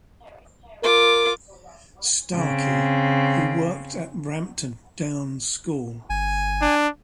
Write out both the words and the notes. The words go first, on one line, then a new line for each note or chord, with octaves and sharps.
Starkey who worked at Brampton Down School.
F4 A#4 D6
C#3 C4
G1 G#5
D4